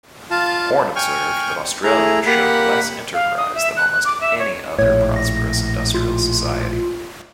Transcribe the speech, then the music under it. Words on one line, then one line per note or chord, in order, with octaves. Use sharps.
Horne observed that Australia showed less enterprise than almost any other prosperous industrial society.
F4 F5 A5
G5 G#5 C#6 F6
A3 E4 G#4 A#5
A#3 G4 F#5 B5
F5
D#6
E5
F#6
D6
E5
C#5
A#1 A2 C#5
A#6
F4